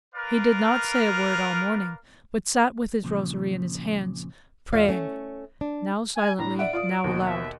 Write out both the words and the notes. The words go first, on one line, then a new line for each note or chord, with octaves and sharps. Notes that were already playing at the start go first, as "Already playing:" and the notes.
He did not say a word all morning, but sat with his rosary in his hands, praying, now silently, now aloud.
A#4 B4 D5 F5
F2 A#2 C#3 F3
E2 G#2 F4 D5 F5
A3 C#4
D4
G#5
A2 D4 A#5
D5 E5 F#5 D7
F4 D5 D#6
D#2 B2 F#4
E5